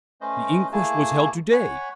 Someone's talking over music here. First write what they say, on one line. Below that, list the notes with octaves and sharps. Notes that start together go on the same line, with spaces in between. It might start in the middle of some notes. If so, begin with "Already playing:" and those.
The inquest was held to-day.
A3 C#4 B4 C5 D#5
A3 A#3 E4 G#4 G#5 A5
C#5 F#5 G#5 B5 C#6